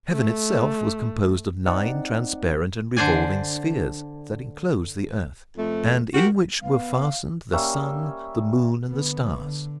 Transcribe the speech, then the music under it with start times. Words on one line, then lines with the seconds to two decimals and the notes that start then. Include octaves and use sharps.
Heaven itself was composed of nine transparent and revolving spheres that enclosed the earth, and in which were fastened the sun, the moon and the stars.
0.12 A3
1.66 C4 D#4 D5 F#5
2.97 D3 D4 C5 D5 G#5
5.57 F2 A3
6.15 F#4 G4 A#4
6.62 B3 F5
7.53 G3 A#3 C#4 E5
8.89 D3 B3
9.39 D3